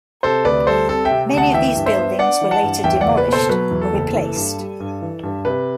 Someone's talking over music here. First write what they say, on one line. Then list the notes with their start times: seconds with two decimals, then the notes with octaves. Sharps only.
Many of these buildings were later demolished or replaced.
0.23 C3 A4 C5
0.45 D2 B4 D5
0.67 G3 A4 C5
0.89 C4 A4
1.05 E5 G5
1.11 C3
1.32 D2
1.37 F#5 A5
1.53 E3 E5 G5
1.75 G2
1.86 C5 E5
1.97 B3
2.18 D4 D5 F#5
2.41 E3
2.51 F#5 A5
2.63 G2
2.84 E2 E5 G5
3.01 D5 F#5
3.06 F#1
3.17 B4
3.28 B2 A4 C5
3.49 F#3 B4
3.71 E2
3.81 A4
3.93 F#1
4.15 E3
4.36 G2
4.59 G3
4.80 G2
5.02 E3
5.23 G2
5.45 C3 B4